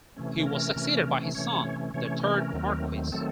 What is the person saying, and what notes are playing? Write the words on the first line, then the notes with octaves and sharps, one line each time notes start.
He was succeeded by his son, the third Marquess.
C3 E3 A3 C#4
A#4
C3 E3 A3 C#4
C3 E3 A3 C#4 C#5
C3 E3 A3 C#4 C#5
A#4
D#2 D#3 F#3 A3 C4
D#3 F#3 A3 C4 A4